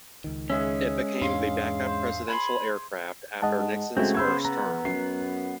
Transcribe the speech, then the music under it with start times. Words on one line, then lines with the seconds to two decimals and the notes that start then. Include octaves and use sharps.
It became the backup presidential aircraft after Nixon's first term.
0.24 C#2 D#3
0.50 G#3 C#4 G#4 E5
1.22 E2 G#2 D4 F5 C6
1.87 C5
2.28 G#5 B5 C6
3.42 G#2 D#5 F#5 A5
3.97 C#3 G#3 A3 C4 E4 F#4
4.15 B3 C5 B5 E6 G#6
4.45 B3 A#5
4.85 F#2 C7